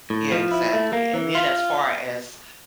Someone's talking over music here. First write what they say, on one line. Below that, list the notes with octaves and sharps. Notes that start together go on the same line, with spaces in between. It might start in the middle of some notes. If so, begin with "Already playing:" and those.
Yeah, exactly, and then as far as,
A2
F3
E4
A3
A#3
E3
F4